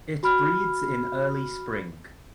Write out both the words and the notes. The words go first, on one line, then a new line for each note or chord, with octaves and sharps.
It breeds in early spring.
F#4 B5 F6